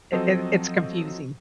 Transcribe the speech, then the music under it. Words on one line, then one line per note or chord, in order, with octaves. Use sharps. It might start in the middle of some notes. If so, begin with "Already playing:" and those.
it it it's confusing.
F3 F#3 C4 A4 C5 D#5